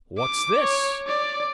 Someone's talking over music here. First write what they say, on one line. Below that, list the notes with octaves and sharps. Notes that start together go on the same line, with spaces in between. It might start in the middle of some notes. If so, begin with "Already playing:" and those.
"What's this?"
D6
C#5
D5